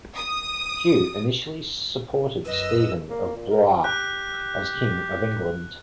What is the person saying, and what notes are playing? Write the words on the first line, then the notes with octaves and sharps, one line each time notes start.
Hugh initially supported Stephen of Blois as king of England.
D#6
F#2 B4 D#5 E6
A#3
A#2
A#4
G4 F#6